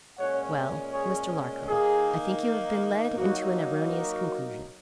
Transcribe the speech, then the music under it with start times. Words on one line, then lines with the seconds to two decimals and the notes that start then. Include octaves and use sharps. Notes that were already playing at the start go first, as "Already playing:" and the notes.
'Well, Mr. Larcom, I think you have been led into an erroneous conclusion.
0.18 A#2 G#3 C#4 C#5 F#5
0.93 G#4 C#5
1.67 D#3 A#3 D#4 G#4
3.17 F#3 A#3 D#4 F#4
3.91 F#4 A#4